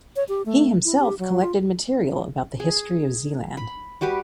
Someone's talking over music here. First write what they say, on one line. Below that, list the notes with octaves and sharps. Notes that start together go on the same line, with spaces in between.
He himself collected material about the history of Zeeland.
C#5
G4
A3
E4
G4
F#3
F4
G#4
B5
G3 F#4 G4 B4